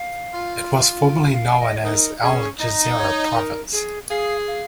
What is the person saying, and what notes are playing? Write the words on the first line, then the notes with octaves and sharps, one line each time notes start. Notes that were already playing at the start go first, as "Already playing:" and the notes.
It was formerly known as Al-Jazira province.
Already playing: F5
F4
F5
F5
D#5
C#5
D#4 A#4
C#4 G#4
D#4 D#5
C#5
A#4
G#4
G#4 F5
F5